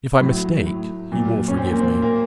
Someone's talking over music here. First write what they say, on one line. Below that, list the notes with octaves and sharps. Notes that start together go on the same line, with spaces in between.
If I mistake, he will forgive me.
A2 F#3
A2
A#2 F#3
C#4
A#2 C4
A#3
C4
A#2 A#3